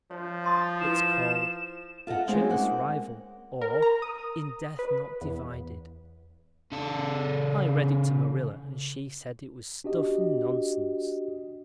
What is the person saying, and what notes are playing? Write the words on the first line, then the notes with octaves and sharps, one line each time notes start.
It's called 'The Jealous Rival; or In Death Not Divided.' I read it to Marilla and she said it was stuff and nonsense.
F3 C#5
A5 C6 D#6 A6
E4 B4 E7
F4 A4 D#5 F#5
G#3 C4 C#4 D#4
A#3 F#5
A#4
A#5
D#6
B4
E2
C#3 A4
D4 F#4 G4 D#5